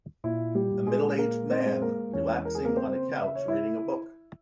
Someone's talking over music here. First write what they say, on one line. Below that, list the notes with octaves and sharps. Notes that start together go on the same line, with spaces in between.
A middleaged man relaxing on a couch reading a book.
A#2 E4
G3 G4
A#2
G#3 G#4
G#3 A#3 A#4
C4 C5
G#3
A#3 A#4
E2 C#4 C#5
A#4
G#4
C#3 A#3 A#4
C4 C5
C#3
E5
C#5
E4 E5